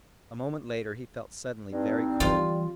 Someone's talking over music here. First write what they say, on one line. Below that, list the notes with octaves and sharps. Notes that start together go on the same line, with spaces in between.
A moment later he felt suddenly very cold.
G2 C4 D#4
E3 G3 F4